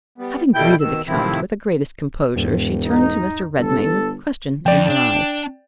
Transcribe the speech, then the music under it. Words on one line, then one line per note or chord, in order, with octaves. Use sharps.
Having greeted the Count with the greatest composure, she turned to Mr. Redmain with question in her eyes.
G3 B3
B2 G3 A3 E4 G5 G6
B2 D#3 E6
A2 C3 D#3 F3 C4 E4
E1 E2 G#2
D#4
G1 A4
F2 D5 G5
D4